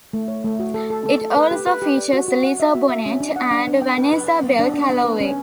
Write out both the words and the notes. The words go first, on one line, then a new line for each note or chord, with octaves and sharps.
It also features Lisa Bonet, and Vanessa Bell Calloway.
A3
C#5
A3
F#4
A4
A4
A4
A4
B4
G4
B4
G4
D5
F#4
F#4
F#5
E5
F#4
E5
C#4
D4
F#5
D4
D4
G5
B4
B4
B4
B3
D4
D4
B3
B4
C#4